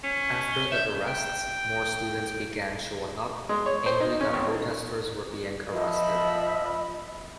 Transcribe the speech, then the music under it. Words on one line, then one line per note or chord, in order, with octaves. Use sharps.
After the arrests, more students began showing up, angry that protesters were being arrested.
C#4 B6
G7
E5 G6
G5
G#3
C#5
C5
D#4
C#4
G#1
F3 D#5 E5 B5